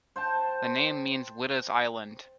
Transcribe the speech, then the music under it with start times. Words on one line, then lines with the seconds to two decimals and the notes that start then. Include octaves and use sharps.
The name means "Witta's island".
0.16 C5 G5 A5